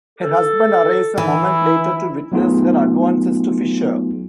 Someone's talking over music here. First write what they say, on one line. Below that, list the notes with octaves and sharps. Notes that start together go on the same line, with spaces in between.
Her husband arrives a moment later to witness her advances to Fischer.
A4
E3 E4
F#3 A3 B3 D#4 F4 G#4